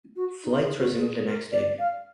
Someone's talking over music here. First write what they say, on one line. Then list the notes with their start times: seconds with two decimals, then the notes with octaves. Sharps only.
Flights resumed the next day.
0.16 F#4
0.44 D#4
0.62 G#4
0.80 F#4
0.98 G#4
1.25 A#4
1.52 D5
1.79 F5